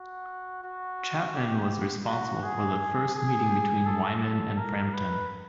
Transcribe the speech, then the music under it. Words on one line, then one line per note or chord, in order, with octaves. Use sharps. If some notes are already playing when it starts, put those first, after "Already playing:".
Chapman was responsible for the first meeting between Wyman and Frampton.
Already playing: F#4
F#4
G4
F#4
G#4
G#4
A4
A#4
B4